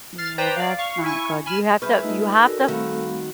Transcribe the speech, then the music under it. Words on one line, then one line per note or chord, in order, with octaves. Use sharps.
Yeah, that's not good. You have to, you have to
F6 A6 C7
B4 C5 D5 G5 A#5
D5 F5
F5 C#6
E4 G#5 C#6
G#5 B5 F6 E7
G3 G#4 B4 E5 C#6 F6 G6
A3 D#4 F4 E6
F#4 A4 A#4 D5
D#3 G3 A3 C4 F#4 F5 B5